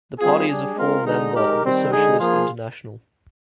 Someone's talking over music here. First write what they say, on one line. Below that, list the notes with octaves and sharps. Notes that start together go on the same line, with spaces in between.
The party is a full member of the Socialist International.
G3 C4 F4 G#4
G3 D4 G#4
G#3 C4 F4 A#4
D3 G#3 D#4
G#3 D#4 G4 A#4
D#3 G3 C4
D3 G#3 D#4 G#4
F3 A#3 F4 G#4